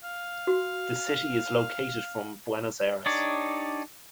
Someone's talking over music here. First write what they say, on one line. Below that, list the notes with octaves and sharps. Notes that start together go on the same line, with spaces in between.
The city is located from Buenos Aires.
F5
F#4
D4 D#4 G4 C#5 D5